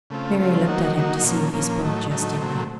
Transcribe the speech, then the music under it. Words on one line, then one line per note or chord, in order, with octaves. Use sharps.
Mary looked at him to see if he spoke jestingly.
C#3 A3 C4 F4
C#3 A3 C4 F4
D#3 F#3 A#3 D#4 F#4
D#3 F#3 A#3 D#4 F#4
A#2 F3 A#3 C#4
A#2 F3 A#3 C#4
A2 F#3 A3 D#4
A2 F#3 A3 D#4
A#2 F#3 A3 C4